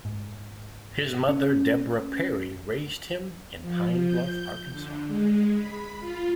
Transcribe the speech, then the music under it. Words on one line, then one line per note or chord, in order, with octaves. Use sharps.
His mother Deborah Perry raised him in Pine Bluff, Arkansas.
G#2
C#4
F3
G6
D3
G#3
B5
F4